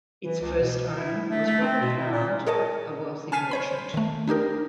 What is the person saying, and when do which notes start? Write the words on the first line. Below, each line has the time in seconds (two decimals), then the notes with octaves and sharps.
Its first owner was Robert Howard, a wealthy merchant.
0.25 E3
0.41 C#2
0.60 B2
0.97 E4
1.29 A3
1.46 A3
1.61 C4
1.81 B2
1.97 E4
2.11 A#2
2.47 G#4 A#4 C#5 D#5 A5
3.32 G#5 A5 F6 B6 C7 D#7
3.51 C5 C#5 B5
3.94 D#3 A3
4.28 D4 D#4 G4 A#4